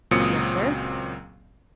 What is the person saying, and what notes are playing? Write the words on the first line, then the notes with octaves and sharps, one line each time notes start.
"Yes, sir."
C#2 A#2 F#3 C4 D#6 C#7